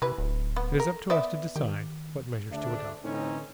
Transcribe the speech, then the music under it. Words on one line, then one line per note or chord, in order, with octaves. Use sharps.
"It is up to us to decide what measures to adopt."
C3 E3 B4
D1
B3
A4 A#4
B3 D5 E5
D#3 G4
D2 C#3 D4 E5
A2 D3 E3 C4 C#4 D#4